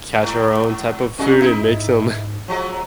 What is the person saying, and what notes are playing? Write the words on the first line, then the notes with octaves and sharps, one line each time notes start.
catch our own type of food, and make some
G#2
A#2 F#3 G#3 C#4
D#4 E4
G#2
F3 F#3 G#3